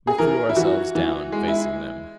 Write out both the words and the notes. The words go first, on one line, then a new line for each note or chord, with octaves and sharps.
We threw ourselves down, facing them.
G#4
E3 A#4
E4
E3 F#4
E3
G#3
E4